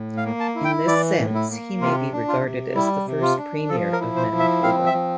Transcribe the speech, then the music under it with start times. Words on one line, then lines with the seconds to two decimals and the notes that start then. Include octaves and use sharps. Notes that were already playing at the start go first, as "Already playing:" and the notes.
In this sense, he may be regarded as the first Premier of Manitoba.
Already playing: A2
0.17 F5
0.25 A#3
0.40 A5
0.56 E4
0.64 G5
0.87 E3 D5
1.19 A2
1.34 E4
1.50 A#3
1.81 C3 F4
2.12 D4
2.28 F4
2.44 C3
2.75 G3 E4
3.07 C3
3.22 F4
3.38 D4
3.69 F3 A4
3.92 A#4
4.01 E4
4.16 C5
4.32 F3
4.39 E5
4.63 C4 F5
4.86 E5
4.94 F3